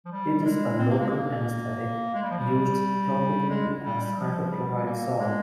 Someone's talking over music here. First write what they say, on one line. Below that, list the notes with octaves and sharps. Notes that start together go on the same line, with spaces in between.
It is a local anesthetic, used topically as the hydrochloride salt.
F3
G3
G#3
C4
A#3
G#3
A#3
G#3
G3
F3
G3
G#3
G3
G3
F3
G3
A#3
G#3